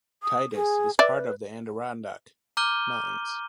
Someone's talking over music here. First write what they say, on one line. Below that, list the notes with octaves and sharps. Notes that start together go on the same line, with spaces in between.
Titus is part of the Adirondack Mountains.
D#6
G#4
B4 D5 E5
A#5 D6 F6 G6 D#7 G7